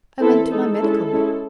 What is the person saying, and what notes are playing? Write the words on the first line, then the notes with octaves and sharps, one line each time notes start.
I went to my medical man.
E3 C4 E4 A4
G#3 D#4 A4
G#3 C#4 E4
G#3 C#4 E4